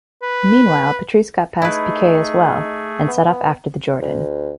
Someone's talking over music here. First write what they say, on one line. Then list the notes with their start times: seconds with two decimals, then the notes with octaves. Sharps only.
Meanwhile, Patrese got past Piquet as well and set off after the Jordan.
0.22 B4
1.62 A3 D#4 E4 G#4 B4
3.08 B3
4.02 D2